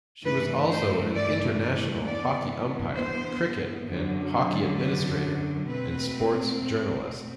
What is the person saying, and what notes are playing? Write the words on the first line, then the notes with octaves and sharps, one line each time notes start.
She was also an international hockey umpire, cricket and hockey administrator, and sports journalist.
G2 E3 A3 B4
C5
D5
D5
G2 E3 B3 D5
C5
F#2 D3 F#3
B4
B2 A3 C4 B4